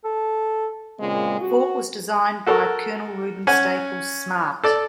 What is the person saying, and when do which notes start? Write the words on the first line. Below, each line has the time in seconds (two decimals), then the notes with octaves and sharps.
The fort was designed by Colonel Reuben Staples Smart.
0.05 A4
1.00 A#2 C#3 G#3 C4 F4
1.40 F#4
2.46 F#4 A4 A#4
3.47 C#4 F#5 G#5
4.64 A4 D5